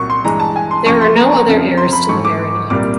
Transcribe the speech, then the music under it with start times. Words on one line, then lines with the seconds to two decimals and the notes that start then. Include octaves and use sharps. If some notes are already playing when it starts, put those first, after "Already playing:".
There are no other heirs to the barony.
Already playing: C2 A#2 F#3 A#3 C#6
0.10 C6
0.25 G2 E3 G#3 A#5
0.40 A5
0.56 G#5
0.71 C6
0.85 C#2 C#3 F3 A3 C#6
1.01 C6
1.16 A#5
1.32 A#5
1.47 F2 C#3 F3
1.77 C6
1.93 B5
2.09 G#2 E3 A3 C#6
2.25 D6
2.70 C2 A#2 G3 A#3 D6